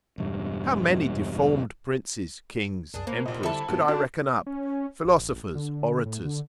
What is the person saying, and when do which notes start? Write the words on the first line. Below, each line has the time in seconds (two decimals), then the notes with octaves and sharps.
How many deformed princes, kings, emperors, could I reckon up, philosophers, orators?
0.18 E1 G2
2.94 C2 F#2 D4 G#4
3.07 B2 A#3 C5
3.26 F1 A#2 D#5
3.43 D3 G3 E4 A4 A5 B5
3.69 D2 G2 A#2 B3
3.88 G1 D4 F#4
4.46 C#4
5.04 A1
5.55 D3
6.06 A2
6.25 D3